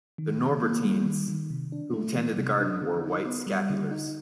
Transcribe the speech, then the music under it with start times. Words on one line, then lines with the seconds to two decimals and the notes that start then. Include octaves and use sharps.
The Norbertines who tended the garden wore white scapulars.
0.18 D#3
0.40 D#3
0.63 A#3
0.84 G3
1.06 D#3
1.28 D#3
1.50 C3
1.72 D4
1.93 A3
2.15 E3
2.38 C3
2.60 D4
2.82 D3
3.04 D#4
3.26 B3
3.47 G3
3.70 D3
3.91 D#4